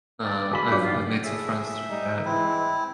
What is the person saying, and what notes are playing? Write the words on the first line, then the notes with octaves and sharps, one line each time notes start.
Uh, I've I've made some friends through that and
D5
F#4 G#4 F5 G#5 B5 F#7
G2 F3 F#3 C#5 D5 D6
D#4 F4 F#5
A#1 A2 G#4 E5
G3 D#4
E3 G#3 C4 E4